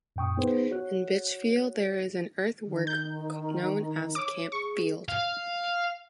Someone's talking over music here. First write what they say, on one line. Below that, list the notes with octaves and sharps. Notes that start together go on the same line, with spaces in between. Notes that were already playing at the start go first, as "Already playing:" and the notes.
In Bitchfield there is an earthwork known as Camp Field.
F#2 A#2 G5 C#6 D#6
B3 D#4 G#4 B4 C5
F#4 C#5 F#6
D#3
G6
C#5 D6
G#4 C#6
F5